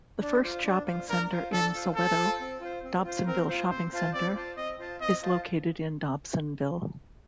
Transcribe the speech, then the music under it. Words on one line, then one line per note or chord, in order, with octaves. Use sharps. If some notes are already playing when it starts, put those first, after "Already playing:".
The first shopping centre in Soweto, Dobsonville Shopping Centre, is located in Dobsonville.
D4
F4 C5 F5
D4
F4 C5 F5
D4 A#4
F4 C5 F5
D4 A4
F4 C5 F5
C4 A4
F4 C5
C4
F4 C5
C4
F4 C5
C4 A#4
F4 C5
C4 C5
F4 C5 F5 A5
C4 D5
F4 C5 F5 A5
C4 D#5
F4 C5 F5 A5
C4 D#5
F4 C5 F5 A5